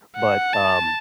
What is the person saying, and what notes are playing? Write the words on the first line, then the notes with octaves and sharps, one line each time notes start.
But, um,
F#5
A5